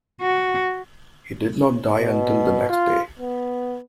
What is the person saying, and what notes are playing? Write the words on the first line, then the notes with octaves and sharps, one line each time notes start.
He did not die until the next day.
F#4
B2
F4
B3